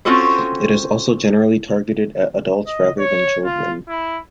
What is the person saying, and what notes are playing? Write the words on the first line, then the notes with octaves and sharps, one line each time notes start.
It is also generally targeted at adults, rather than children.
C4 C#4 F4 F#4 A4 C5
D#5
C#5
F4
E4